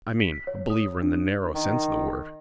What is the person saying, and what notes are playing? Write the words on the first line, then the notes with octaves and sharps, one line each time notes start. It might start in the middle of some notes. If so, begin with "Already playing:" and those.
I mean, a believer in the narrow sense of the word.
B6
C#5
D#6
D4
D#3